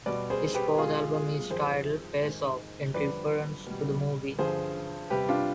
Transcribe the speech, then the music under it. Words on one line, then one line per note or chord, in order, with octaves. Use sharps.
His fourth album is titled "Face Off" in reference to the movie.
B2 G3 B4 D5
G#4 C5
G4 B4
B2 G#3 F4 G#4
F4 G#4
F2 D#3 G3 G#4 C5
G#2 D#3 G#3
F2 D3 G3 B4 D5
B2 G3
G2 D3 F3 G#4 C5
C3 G3 G4 B4
D4 F4